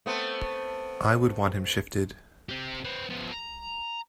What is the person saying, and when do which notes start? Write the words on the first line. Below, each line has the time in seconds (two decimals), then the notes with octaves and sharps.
I would want him shifted.
0.06 A3 B3 C4
2.49 C4 G4
2.85 C4 B4
3.10 F3 B3
3.32 A#5